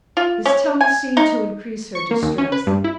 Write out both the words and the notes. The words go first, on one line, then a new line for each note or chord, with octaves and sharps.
His tone seemed to increase her distress.
F4
C#4
G#5
D#4
C#6
A#3
D#2
C#4
B4
G2
E4